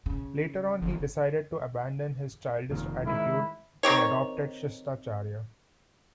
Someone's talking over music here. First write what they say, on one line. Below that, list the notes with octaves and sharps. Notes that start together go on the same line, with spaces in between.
Later on he decided to abandon his childish attitude and adopted shistacharya.
C#3
G1
F1 A#2 D#3
D#3 G#3 E4
D#3 C4 G4 C#5